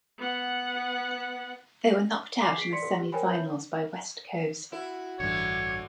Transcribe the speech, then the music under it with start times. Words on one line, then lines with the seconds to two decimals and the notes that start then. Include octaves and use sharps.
They were knocked out in the Semi Finals by West Coast.
0.18 B3 F#5
2.40 G#5 D6 C7
2.58 G#4 B6 C7 D7
2.72 D5 C6 B6 C#7
2.99 G4
3.12 A#4 C5 C#5 G5 G#5 B5
3.30 B4 C#5 E5 B5 G6
4.72 E4 F#4
5.20 A1 G2 D3 E3 C#5